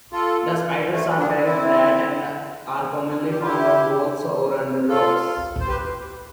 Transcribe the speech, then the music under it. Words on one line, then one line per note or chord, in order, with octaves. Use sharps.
The spiders are very flat and are commonly found on walls or under rocks.
F4 A4
A3 C4
B3 D4
C4 E4
G4
F4
E4 G4
F4 A4
C5
G4 B4